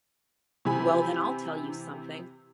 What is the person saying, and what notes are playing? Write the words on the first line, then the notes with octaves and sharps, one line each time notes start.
Well, then, I'll tell you something.
C3 E3 G4 G#5 B5